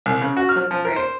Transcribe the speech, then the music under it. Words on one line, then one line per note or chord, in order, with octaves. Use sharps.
That's great.
C2
C#3
F#4
F6
F3
A#4
C5